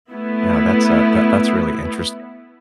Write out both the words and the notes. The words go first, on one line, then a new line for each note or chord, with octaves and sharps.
yeah, that's uh, that that's really interesting.
A3 B3 E4